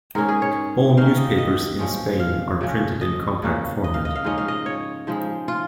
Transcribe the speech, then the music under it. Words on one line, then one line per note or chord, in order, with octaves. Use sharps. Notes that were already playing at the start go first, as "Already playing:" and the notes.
All newspapers in Spain are printed in compact format.
G#2 G#3 C#4 A#4
G#4
C#5
D#3 A#3 C#4 F5
D#5
D#5
A#2 F3 G#3 C#4
F5
C#3 F3 C#4
D#5
C#3 A#3 C#4
D#5
F5
D#5
F5
G#2 F3 C#4 D#5
F5
D#5
C#5
G#2 F3 G#3
F4